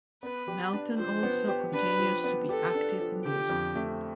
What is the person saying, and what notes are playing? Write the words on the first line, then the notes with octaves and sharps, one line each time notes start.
Melton also continues to be active in music.
B3 B4
G4
D4
F3 C5
B3
G4
D4 B4
F3
B3
G4 A4
D4
F3
D3 G4
F2
A3